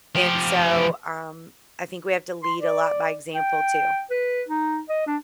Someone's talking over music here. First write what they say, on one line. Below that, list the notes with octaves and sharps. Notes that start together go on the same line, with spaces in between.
and so, um, I think we have to lead a lot by example too
F3 G4
C6
D5
G5
B4
D#4
D#5
D4